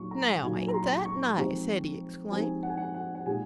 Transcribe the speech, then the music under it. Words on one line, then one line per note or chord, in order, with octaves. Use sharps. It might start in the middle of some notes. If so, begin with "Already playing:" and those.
"Now ain't that nice," Hetty exclaimed.
Already playing: A#2 F#3 A#3 D#4 C#6
A#5
A#2 F#3 A#3 D#4 G#5
A#5
C6
C#6
F3 G#3 C4 D#4
F3 G#3 C4 D#4 G#5
F#5
G#5
F#5
F#5
F#5
A#2 G#3 D#4 G#5